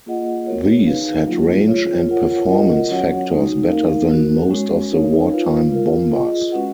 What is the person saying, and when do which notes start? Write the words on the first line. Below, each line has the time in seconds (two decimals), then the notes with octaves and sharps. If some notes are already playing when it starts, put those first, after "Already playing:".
These had range and performance factors better than most of the wartime bombers.
0.06 A#3 F4 G#4 D#5 F#5
0.46 B3 F#4 A#4 C#5
0.87 D#4 G#4 B4 F5
1.27 F#3 A#3 F4
1.68 F4 G#4 C#5
2.08 F4 A#4 C#5 F#5
2.49 F4 A#4 D#5 F#5
2.89 F#3 C#4 F#4 C#5 F#5
3.30 G#3 D#4 F#4
3.70 A#3 D#4 A#4 F5
4.10 B3 F#4 A#4
4.50 G#3 C#4 F#4 C#5
4.91 D#4 A#4 C#5 F5
5.32 F4 B4 F5
5.72 F4 A#4 F5
6.12 F4 G#4 D#5
6.52 G#3 C#4 F#4 B4 F#5